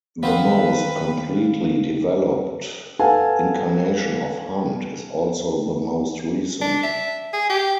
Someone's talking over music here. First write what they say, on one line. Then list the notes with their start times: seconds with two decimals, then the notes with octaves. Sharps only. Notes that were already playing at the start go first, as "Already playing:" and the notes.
The most completely developed incarnation of Hunt is also the most recent.
0.23 D#3 E3 F#3 B3 C4 B4 C5 F5
2.99 A4 B4 F5 F#5 G#5 A5
6.61 D4
6.83 E5
7.33 G#4
7.50 G4